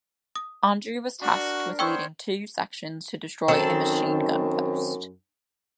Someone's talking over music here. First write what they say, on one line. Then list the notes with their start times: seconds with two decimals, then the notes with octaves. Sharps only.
Andrew was tasked with leading two sections to destroy a machine-gun post.
0.36 D#6
1.21 D4 F#4 A#4
1.79 B3 A#4 C5 C#5 G5 C#6 E6
3.48 F#2 D#3 C4 A4